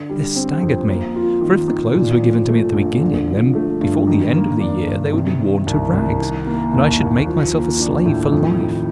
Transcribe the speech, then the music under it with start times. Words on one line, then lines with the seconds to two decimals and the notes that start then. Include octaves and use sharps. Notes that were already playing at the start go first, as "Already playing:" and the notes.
This staggered me; for if the clothes were given to me at the beginning, then before the end of the year they would be worn to rags, and I should make myself a slave for life.
Already playing: D3
0.10 G3
0.36 C4
0.62 F2
0.89 A#3
1.16 F4
1.41 D#3
1.68 D#3
1.95 A#2
2.21 F3
2.49 A3
2.74 A#1
3.01 D3
3.28 F3
3.55 A3
3.81 G2
4.07 D#3
4.33 A#3
4.60 D4
4.87 G2
5.13 C3
5.41 D#3
5.67 C2
5.93 C2
6.19 D#3
6.47 A#3
6.73 D#2
7.00 D#2
7.26 F3
7.53 A#3
7.79 D4
8.05 A2
8.32 F2
8.59 D#3